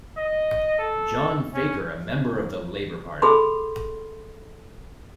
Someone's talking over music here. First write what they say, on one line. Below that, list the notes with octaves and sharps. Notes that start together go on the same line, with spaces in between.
John Faker, a member of the Labor Party.
D#5
A4
C#4
G#4 A4 B5 C6